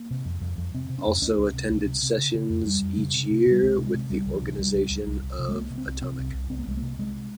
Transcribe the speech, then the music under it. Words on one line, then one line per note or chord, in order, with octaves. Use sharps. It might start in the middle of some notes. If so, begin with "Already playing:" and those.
Also attended sessions each year with the organization of Atomic.
Already playing: A#3
C3
F2
F2
F2
C3 C4
C3
C#4
F2
C#2 C#4
C#2
C3
C#2
C3
C3
C#3
C#3
F2
F2 G3
F2
C#3
C3
C3
C3 G3
C#2 G#3
C3
G#3
C3
C#2 G3
C#2
F3
C3
F3
C#2 G3
C#2
C#2
C2
C2
C3
G#3
C2 A#3
C3
C4
C2
C3 C4
C2
C2
C2 C4
A#3
C2 G#3
C3 A#3
C3 G#3